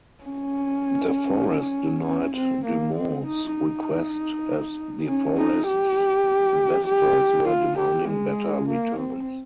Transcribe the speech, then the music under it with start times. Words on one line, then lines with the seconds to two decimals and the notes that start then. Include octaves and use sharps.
De Forest denied DuMont's request as De Forest's investors were demanding better returns.
0.24 C#4
2.05 C#4
2.35 C4
2.65 A#3
2.95 C4
3.26 D#4
3.56 D#4
5.07 C#4
5.36 D#4
5.67 G4
6.88 G4
7.48 F4
7.78 G4
8.08 G#3
8.69 A#3
8.99 C4